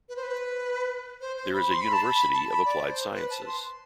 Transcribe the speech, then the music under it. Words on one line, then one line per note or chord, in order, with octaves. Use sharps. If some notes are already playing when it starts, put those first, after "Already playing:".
There is a university of applied sciences.
B4
C5
B4
C5
C5
B5
C6
B5
A5
B5
B5
A5
B5
D5
C5
B4
A5
C6